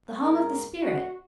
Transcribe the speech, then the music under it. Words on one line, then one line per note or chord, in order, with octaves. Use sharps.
The Home of the Spirit!
G#2 A#4
F#4